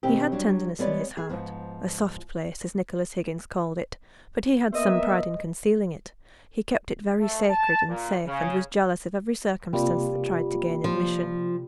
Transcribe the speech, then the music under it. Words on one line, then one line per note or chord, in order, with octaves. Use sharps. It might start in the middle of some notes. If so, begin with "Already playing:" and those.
He had tenderness in his heart--'a soft place,' as Nicholas Higgins called it; but he had some pride in concealing it; he kept it very sacred and safe, and was jealous of every circumstance that tried to gain admission.
B2 D#3 C4 G4
F#3 G3 D4
G3 G#3 B3 C#5 D5
G#4
G#2 F3 B3
A#3 B3 C5 D#5 E5
A3
A5
A#2
C#3
C3 G3 A#3 F4
F3